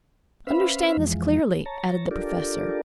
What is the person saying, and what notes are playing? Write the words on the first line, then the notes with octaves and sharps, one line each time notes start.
"Understand this clearly," added the Professor.
C#4 B4 C5 E5 F5 B5
F2 E3 F3 G#3
C#5 A5 A#5
D4 F4 G4 A4 A#4 D5